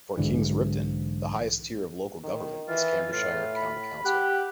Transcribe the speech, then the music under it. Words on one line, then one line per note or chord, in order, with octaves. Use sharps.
For Kings Ripton the highest tier of local government is Cambridgeshire County Council.
B1 G#2 D3 E3
D#3
E3 F4
A2 F4
B5
G4 F#5